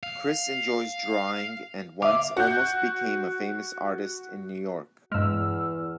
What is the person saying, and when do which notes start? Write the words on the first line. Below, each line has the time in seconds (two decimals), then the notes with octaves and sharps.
Chris enjoys drawing and once almost became a famous artist in New York.
0.03 F5
2.03 E5 F5 D6
2.37 F#4 G6
5.12 E2 G2 G#3 E6 F6